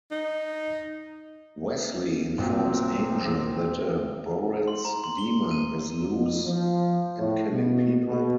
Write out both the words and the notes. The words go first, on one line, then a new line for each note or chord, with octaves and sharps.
Wesley informs Angel that a Boretz demon is loose and killing people.
D#4
B1 A#2 F#3 C4
C6
A#5
C6
G7
D#7
F2
F3
A2
B2
B2